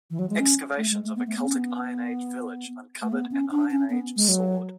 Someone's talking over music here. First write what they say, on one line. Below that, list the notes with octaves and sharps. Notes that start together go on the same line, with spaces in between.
Excavations of a Celtic Iron Age Village uncovered an iron age sword.
E3
F#3
G#3
C#4
A3
G#3
A3
B3
A3
B3
C#4
B3
A3
B3
C#4
D4
C#4
B3
G#3
F#3